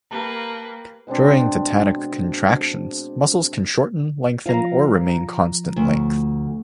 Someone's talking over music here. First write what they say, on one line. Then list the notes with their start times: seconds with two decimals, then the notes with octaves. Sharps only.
During tetanic contractions, muscles can shorten, lengthen or remain constant length.
0.11 A#3 G4 B4 A5 A#5
1.07 B2 G#3 C4 D4
4.46 F3 F5 A#5
5.76 D2